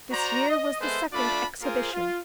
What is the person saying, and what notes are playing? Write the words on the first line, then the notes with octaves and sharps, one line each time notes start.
This year was the second Exhibition.
F#4 C5 D5 A#5
D#5
G#3 B3 A4 B4 C5 E5
A3 D4 F4 D5 A5 B5
A#3 F4 G#4 A#4 C5
F4